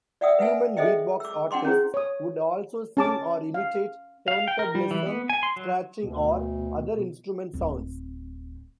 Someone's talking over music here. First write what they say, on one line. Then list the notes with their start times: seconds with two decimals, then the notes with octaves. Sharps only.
"Human Beatbox" artists would also sing or imitate turntablism scratching or other instrument sounds.
0.21 D5 E5 F#5 G5 D#6 E6
0.39 B4 E5 F#5 G#5
0.77 G#4 A4 C5 D#5 E5 G5
1.20 D6 E6
1.51 D4 F#5 G5 C6 D6
1.65 C#4 E4 G#4 C5
1.94 C#5 D#6
2.97 C#4 A5 D6
3.54 F5
4.28 F5
4.48 G5
4.59 A#4
4.75 G3
4.91 E3
5.06 B3
5.30 G#5
5.43 C6
5.56 F#3
6.03 D2 B2
7.54 D1 C4